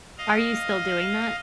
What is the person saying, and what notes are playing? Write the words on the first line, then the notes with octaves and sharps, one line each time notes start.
Are you still doing that?
D#5 F5